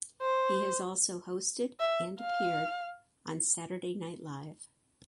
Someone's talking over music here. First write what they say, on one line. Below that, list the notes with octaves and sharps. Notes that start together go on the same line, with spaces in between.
He has also hosted and appeared on "Saturday Night Live".
C5
E5
F5